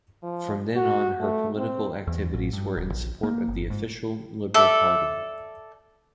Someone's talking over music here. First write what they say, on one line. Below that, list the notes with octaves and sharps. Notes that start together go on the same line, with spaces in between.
From then on her political activities were in support of the official Liberal Party.
F3
F#4
A3
C4
E2
A1
G2
D#1
A#1
A#3
G1
G#2
A4 D5 E5